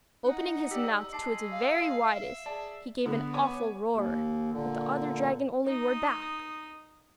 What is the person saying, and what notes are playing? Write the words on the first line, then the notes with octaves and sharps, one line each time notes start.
Opening his mouth to its very widest, he gave an awful roar; but the other dragon only roared back.
D#4 F#5
G4 D5 E6 B6
G#3 A5 D6 C7
F5
E5
G#4 D5 A5
D3 B3
C#5 G#5 D6
D#2
A#2 D3
D#4 D#6